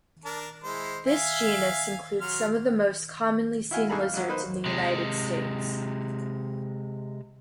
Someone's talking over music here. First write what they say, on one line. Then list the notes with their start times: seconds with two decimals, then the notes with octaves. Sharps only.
This genus includes some of the most commonly seen lizards in the United States.
0.25 D4 A#4 A5
0.64 G#3 E4 C5
1.07 E5 F5 G#5
2.21 F#3 C6 F6
3.71 E4 F#4 F5 G#5
3.89 G#2 A3 G#4 A4 A#5 B5
4.00 F5
4.13 A#1 F#3
4.27 A#3 D#4 B4 C5
4.66 C3 G#3